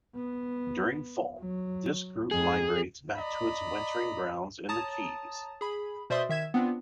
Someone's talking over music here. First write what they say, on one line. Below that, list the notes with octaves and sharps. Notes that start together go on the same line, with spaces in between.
During fall, this group migrates back to its wintering grounds in the Keys.
B3
F#3
F2 G#4
D5 D#5 A#5 B5
C#5 A5 A#5 D#6 A6
G#4 B5
B2 C5 D5 E5 C6 D#6
D#3 E5 G#6 E7
B3 C4 D4 F4